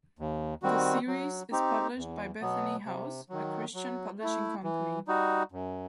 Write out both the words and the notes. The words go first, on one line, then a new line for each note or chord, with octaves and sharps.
The series is published by Bethany House, a Christian publishing company.
D#2
D#3 G3 C4 F#4
F#3
C4 D#4 G4
E2
B2 F#3 B3
C3
D#3 F#3
F#3
A3 E4
E3
G3 D#4 F#4
F#2